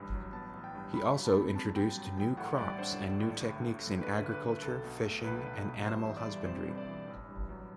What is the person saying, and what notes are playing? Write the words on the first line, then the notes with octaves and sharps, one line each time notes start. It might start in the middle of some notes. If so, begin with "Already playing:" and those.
He also introduced new crops and new techniques in agriculture, fishing, and animal husbandry.
Already playing: A1 G2
F#3
B3 A5
A1
G5
G2
G2 B5
F#3
A5
C4
G2 A5
G2 G5
F#3
A1 G5
A2 F#5
G3 D5
D4 C5
A1
A2
D2
D3
A3
D4 B4
D2
B4
D3
B1 A4
B2
A3
B1 B4
B1
B2
G2 C5
E3 E5
D5
G3
C4 C5
G2
D5
E3
A1
G2
F#3